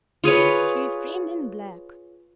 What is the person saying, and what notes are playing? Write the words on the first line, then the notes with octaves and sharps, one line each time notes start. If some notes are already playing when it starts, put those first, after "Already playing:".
'She's framed in black.
F4 G#4 B4 C#5